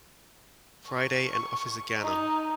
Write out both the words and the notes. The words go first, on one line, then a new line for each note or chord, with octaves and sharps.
Friday and Officer Gannon.
C#6
D#4